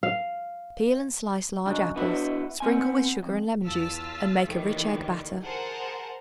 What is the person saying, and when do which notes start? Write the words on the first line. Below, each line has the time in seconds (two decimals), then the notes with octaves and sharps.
Peel and slice large apples; sprinkle with sugar and lemon-juice and make a rich egg batter.
0.03 F5
1.66 C#3 F#3 D4
1.96 B3 D4 E4 F#4 G4 B4
2.60 B3 C4 G#5
3.23 F2
3.65 E2 F4 A5 E6 F6 B6
4.46 D2 A2 D#3 E3 G3
5.43 G#4 A#4 C5 F#5 A5 A#5